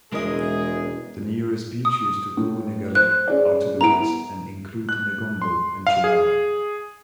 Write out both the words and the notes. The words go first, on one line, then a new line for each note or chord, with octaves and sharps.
The nearest beaches to Kurunegala are to the west and include Negombo and Chilaw.
E1 G#3 C#4 E4 G#4 A#4 D#5
D#6
A2
C5 F#6
C#4 G#4 D5
B3 E4 A#5 D7
F#6
C6
F5
G#4